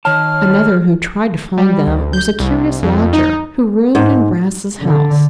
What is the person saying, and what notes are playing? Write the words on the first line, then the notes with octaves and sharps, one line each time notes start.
Another who tried to find them was a curious lodger who roomed in Brass's house.
D#3 C#5 A5 F6
G3
D2
G6
C2
C2
F2
D#4
G#2
D3